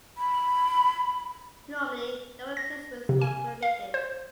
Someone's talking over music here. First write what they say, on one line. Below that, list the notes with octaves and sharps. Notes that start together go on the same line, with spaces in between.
Normally no replacements were permitted.
B5
A#6
C3
G#5
F5
C5